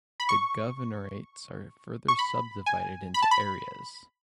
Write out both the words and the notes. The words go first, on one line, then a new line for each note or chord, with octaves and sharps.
The governorates are further subdivided into areas.
B5
C#6
C#6
B5
G#5
B5
A5
B5